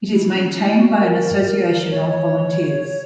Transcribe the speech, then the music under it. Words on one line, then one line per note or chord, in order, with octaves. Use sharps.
It is maintained by an association of volunteers.
E4
C#4
E4
F#4
A#4
C#5